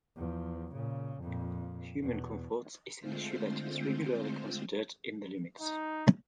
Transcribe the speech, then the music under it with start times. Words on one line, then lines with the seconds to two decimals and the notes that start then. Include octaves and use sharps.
Human comfort is an issue that is regularly considered in the limits.
0.16 E2 F3
0.72 A#2 C#3
1.21 F2 A#2
2.03 E2 B2
3.01 D3 G#3 A3 C4 F4 C5
5.61 D#4